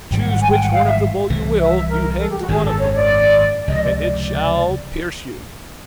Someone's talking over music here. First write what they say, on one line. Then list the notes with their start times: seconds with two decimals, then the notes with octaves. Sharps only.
Choose which horn of the bull you will, you hang to one of them, and it shall pierce you.
0.10 A1 G#2 D#3 G3 G5
0.20 F#5
0.31 F#5
0.40 G#5
0.51 G5
0.60 F#5
0.70 F5
0.85 E5
1.30 C2 C3 E3
1.59 E5
1.89 A#4
2.19 A4
2.29 G4
2.39 F#4
2.48 G#1 F#2 D#3 G#4
2.63 A4
2.78 C#5
2.93 D5
3.68 C#2 C3 F3 D#5
3.82 D5
3.97 D5